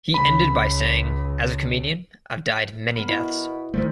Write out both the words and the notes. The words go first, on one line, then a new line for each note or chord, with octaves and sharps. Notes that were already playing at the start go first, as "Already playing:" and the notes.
He ended by saying, As a comedian, I've died many deaths.
C#2 B5
B3 A#4 B5
B2 E4
D2 D#3 E3 A3 C5